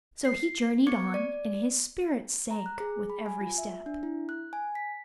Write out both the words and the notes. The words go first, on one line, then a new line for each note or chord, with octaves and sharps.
So he journeyed on, and his spirits sank with every step.
C7
B3 C#6 D6 G#6 C#7
D5
A#5
F#6
G#4
B5
G#5
F4
E5
D4
E4
F#6
G#5
B6